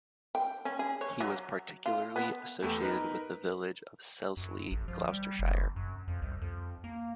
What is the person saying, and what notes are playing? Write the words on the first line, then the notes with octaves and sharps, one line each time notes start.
He was particularly associated with the village of Selsley, Gloucestershire.
G5
C#4
G#4
C#5
F#3
F4
B3
E2 A3 B3 G4 A4
D#4 A#4 B4
F#2
A1
F3
G3
F#1
F#2
F2
C2
F2
A#3